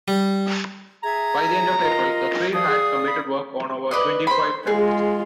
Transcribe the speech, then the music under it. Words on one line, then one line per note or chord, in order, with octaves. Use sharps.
By the end of April, the three had completed work on over twenty-five demos.
G3
G#4 E5 A#5 G#6
F4 A#4 D#5
F3 D5 F5 D#6
G#4
B5
B4 D5 D#5
C5 B5
G#3 F4 G#4